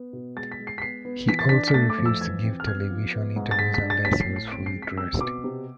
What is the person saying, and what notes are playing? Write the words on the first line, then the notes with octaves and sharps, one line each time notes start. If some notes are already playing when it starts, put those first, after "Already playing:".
He also refused to give television interviews unless he was fully dressed.
Already playing: B3
B2
G#3 A6
B6
G#3
C7
B6
B3 C7
B3
E3 B6
A6
D4 B6
B6
A3 A6
D6
F2
E6
E3 G#6
C4
F6
B3 G#6
F3
B3
G#2
A6
G#3 B6
B6
D4
A6
A2 B6
C7
A2
C7
C4 D7
C7
G#3
B6
C4 E6
B2 D6
C3